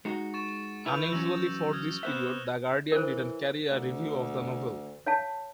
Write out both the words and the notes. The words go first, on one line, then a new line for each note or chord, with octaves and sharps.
Unusually for this period, "The Guardian" didn't carry a review of the novel.
G#3 D#4 F#4 C#7
C#6 A6 E7
E4 B4 G6 D#7 F7
E3 F#3 C#4 E6 A#6
D#6 F6 G#6
B3 C5 E5 F#6 E7
E3 A#4 C5
D2
C#5 F5 A5